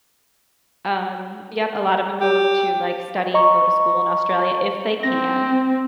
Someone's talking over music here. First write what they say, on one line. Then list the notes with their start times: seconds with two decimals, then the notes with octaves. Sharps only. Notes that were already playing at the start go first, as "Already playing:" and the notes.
Um, yep, a lot of 'em go to, like, study and go to school in Australia, if they can.
2.21 G4
3.34 D#5 A#5 C#6
5.03 C4 A#6